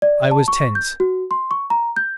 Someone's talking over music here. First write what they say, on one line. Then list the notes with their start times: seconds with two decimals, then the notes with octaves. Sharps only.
I was tense.
0.02 D5
0.31 A5
0.48 C#6
0.75 G6
1.00 F#4
1.31 C6
1.51 C#6
1.70 A#5
1.96 G6